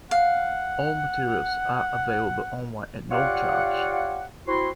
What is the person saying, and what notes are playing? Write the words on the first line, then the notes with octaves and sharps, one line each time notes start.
All materials are available online at no charge.
F5 F#5
F4 G4 C#5 D5 F5 F#5
C4 E4 F#4 C6